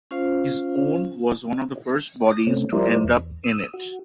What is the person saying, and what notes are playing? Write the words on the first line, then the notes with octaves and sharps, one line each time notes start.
His own was one of the first bodies to end up in it.
C#4 F4 C5 F5
C3 A3 C4 C#4
F3 G3 E4 A#4 C5 D5
E2
D#6 E6
F#4